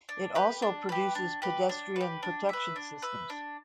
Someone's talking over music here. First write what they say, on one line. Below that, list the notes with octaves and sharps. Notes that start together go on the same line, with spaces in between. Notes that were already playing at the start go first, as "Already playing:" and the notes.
It also produces pedestrian protection systems.
D4
G4 B4
D4
G4 B4
D4
G4 B4
D4
G4 B4
D4
B4 E5
D4
B4 E5
D4